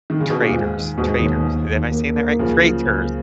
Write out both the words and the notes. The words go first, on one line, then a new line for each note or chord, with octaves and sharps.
Traitors, traitors. Am I saying that right? Traitors.
D#3
C#3
B2
A#2
D#2 G#2
D#3
D#2 G#2 B2
D#2
D#2
D#2
A#3
A#3
C#2 C#3 F3
F#3
C#2